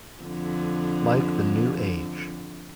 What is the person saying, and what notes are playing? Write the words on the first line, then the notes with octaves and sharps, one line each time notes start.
Like the New Age.
F2 D3